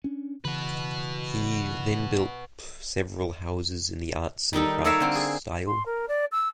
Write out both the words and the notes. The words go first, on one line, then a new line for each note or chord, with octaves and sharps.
He then built several houses in the Arts and Crafts style.
C#4 D4
C#3 E3 F#4 B4
D#3 G3 D#4 A4
G3 A4 A#4 C#5 E5 F5
D3 C4
G#4
C6
A#4
D5
E6